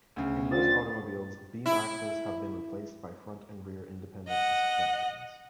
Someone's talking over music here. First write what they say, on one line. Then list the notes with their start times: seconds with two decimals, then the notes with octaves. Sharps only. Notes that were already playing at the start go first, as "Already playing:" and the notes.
In most automobiles, beam axles have been replaced by front and rear independent suspensions.
0.16 D2 C#3
0.51 C4 D4 F4 A6
1.66 E4
4.28 D#5 F#5